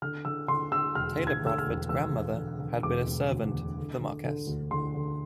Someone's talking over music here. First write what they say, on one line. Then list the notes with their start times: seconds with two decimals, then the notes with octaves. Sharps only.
Taylor Bradford's grandmother had been a servant for the Marquess.
0.02 D3 F6
0.25 D3 E6
0.48 D3 C6
0.72 D3 E6
0.95 E1 F6
1.19 D2
1.27 G#6
1.43 D3 E6
1.58 F6
1.66 E1
1.89 E1 E6
2.13 E1
2.37 D3
2.59 D3
2.83 E1 D6
3.07 E1
3.30 D2
3.54 E1
3.77 D3
4.01 D3
4.24 D3
4.47 D2
4.71 D3 C6
4.94 D3